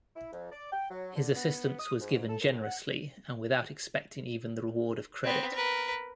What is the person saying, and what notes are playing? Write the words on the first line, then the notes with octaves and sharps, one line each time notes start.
His assistance was given generously and without expecting even the reward of credit.
E4
F2
D5
G5
F#3
D3
B3
D#6
G#2
A4
F#2
F#5
B3 C4
A#4 B4